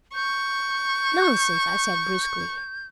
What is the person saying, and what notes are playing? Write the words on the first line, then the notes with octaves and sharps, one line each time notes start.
"Nonsense!" I said bruskly.
C#6 G6